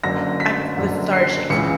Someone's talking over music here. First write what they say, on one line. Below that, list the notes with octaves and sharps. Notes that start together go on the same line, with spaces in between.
I'm lethargic.
F#1 F#2 D3 A#6
B6
F#1 F#2 D3
C7
C#2 C#3 E3 C#7